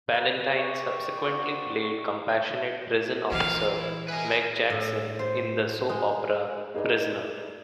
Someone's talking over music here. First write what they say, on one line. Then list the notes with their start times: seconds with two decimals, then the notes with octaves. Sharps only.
Ballantyne subsequently played compassionate prison officer, Meg Jackson in the soap opera, "Prisoner".
0.14 B4 D5 A#5 F#6
0.56 B4 D5 G5 C#6
1.24 A#3 C4 F#4 F5
3.32 A#2 E3 F5
3.77 E4
4.08 G#4 A#4 B4 D#5
4.70 A2
5.19 C5
5.89 G#3
6.74 D#4 G#4 B4 D5 D#5